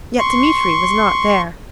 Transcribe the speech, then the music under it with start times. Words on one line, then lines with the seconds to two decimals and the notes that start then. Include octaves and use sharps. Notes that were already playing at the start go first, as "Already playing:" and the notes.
Yet Dmitri was not there.
0.19 C6 C#6